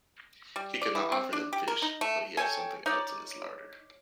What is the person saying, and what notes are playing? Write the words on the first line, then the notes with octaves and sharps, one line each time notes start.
He could not offer them fish, but he had something else in his larder.
G3
D5
E3
C4
D4
G4
A#4
D#4
A3
A4 C#5 G5 G#5
D#4 C#5 D5